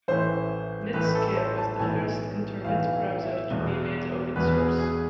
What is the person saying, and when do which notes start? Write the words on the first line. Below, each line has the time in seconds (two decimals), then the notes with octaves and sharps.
Netscape was the first internet browser to be made open source.
0.08 A1 A2 E3 C5
0.94 A1 A2 E3 B4
1.15 A4
1.36 C5
1.58 A5
1.79 B1 A2 E3 G#5
2.64 B1 A2 E3 F5
2.93 F5
3.22 E5
3.50 E1 E2 B2
4.36 E1 E2 B2 B4
4.57 G#4
4.78 G#4